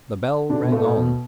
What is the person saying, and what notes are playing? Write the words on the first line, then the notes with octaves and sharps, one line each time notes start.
The bell rang on.
D3 D4
B2 B3
A2 A3
A2 A3
B2 B3